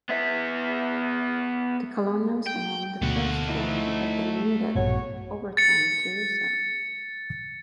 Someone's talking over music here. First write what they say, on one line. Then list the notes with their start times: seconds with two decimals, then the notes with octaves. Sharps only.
The Colonials won the first game but they needed overtime to do so.
0.09 B3 E5
2.46 G5
3.02 D2 B2 A3 F#5
3.47 F3 D#4 E4
4.76 A#1 G2 B2 F#4 C#5
5.57 A6 C#7